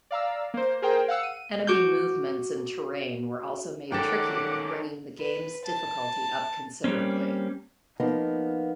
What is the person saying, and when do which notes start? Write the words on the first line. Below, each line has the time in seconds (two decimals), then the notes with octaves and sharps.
Enemy movements and terrain were also made trickier, bringing the game's difficulty up considerably.
0.11 D5 F5 A#5 E6
0.54 A#3 C5
0.82 G#4 A#4 C5 G5
1.08 F5 F#5 E6 C#7
1.23 D#7
1.67 F#4 D6 G6
3.92 D#3 C#4 A4 F#5 G5 D6
5.19 B4
5.66 A5
6.84 G3 A#3 C4 C#4
8.00 F3 A#3 B3 D#4